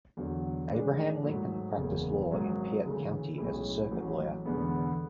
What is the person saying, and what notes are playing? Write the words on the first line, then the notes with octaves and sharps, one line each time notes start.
Abraham Lincoln practiced law in Piatt County as a circuit lawyer.
E2 D3 F#3
A2 E3 G#3 D4
G#2 F#3 A3
F#1 E2 C#3
G#1 G#2 F#3
D2 C#3 E3 A3
B1 A2 G#3 C#4 E4
A1 A2 F#3 C#4
E1 E2 D3 G#3 B3